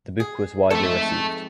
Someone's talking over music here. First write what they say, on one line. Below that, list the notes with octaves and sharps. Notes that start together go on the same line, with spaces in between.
The book was widely received.
G#4
F2 G#2 A3 A4 E5